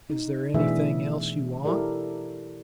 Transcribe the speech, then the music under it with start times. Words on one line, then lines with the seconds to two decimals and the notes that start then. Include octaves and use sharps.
Is there anything else you want?
0.10 D#4
0.54 B2 E3 A3 D4 G#4 E5
1.64 E4 G4 A4 A#4 D5